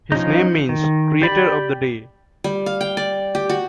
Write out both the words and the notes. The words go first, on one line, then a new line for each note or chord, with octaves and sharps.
His name means "creator of the day".
F3 C#4 D#4
D#3
G4 D5 B5
G3
F5
G5
D5
G4
F#4